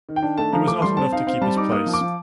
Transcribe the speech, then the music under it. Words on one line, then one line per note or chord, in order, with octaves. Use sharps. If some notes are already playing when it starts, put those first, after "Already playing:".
It was not enough to keep his place.
D#3
G5
D4
A3 A5
F3 A#5
A3 D6
G3 C6
C4 A5
D#4 F5
C4 F5
G3 A5
D#4 D6
A#3 D#6
F3
D6
F3